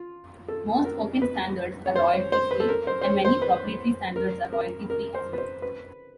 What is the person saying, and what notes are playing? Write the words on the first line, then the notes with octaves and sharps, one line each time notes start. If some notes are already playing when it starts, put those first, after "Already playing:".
Most open standards are royalty-free, and many proprietary standards are royalty-free as well.
Already playing: F4
A4
A#4
B4
C#5
C5
C#5
C5
B4
A4
A#4
C5
C5
C#5
C5
B4
A#4
A#4
A#4
C5
B4
C5
B4